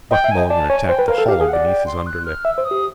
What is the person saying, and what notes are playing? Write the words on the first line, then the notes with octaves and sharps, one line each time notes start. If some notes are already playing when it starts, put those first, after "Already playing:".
Buck Mulligan attacked the hollow beneath his underlip.
D#5 G5
E5
G#5
D#5
D5 A5
C#5 G#5
C5 G5
B4
A#4 F5
A4
G4 F5
G#4
F#5
D5
G5
C6
F#6
F6
E5 E6
C5
D#6
G4